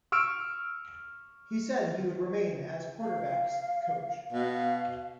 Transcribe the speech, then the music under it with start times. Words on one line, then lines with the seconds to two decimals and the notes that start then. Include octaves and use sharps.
He said he would remain as quarterbacks coach.
0.12 C#6 E6 F6 D7
3.00 F5
4.33 B2 F5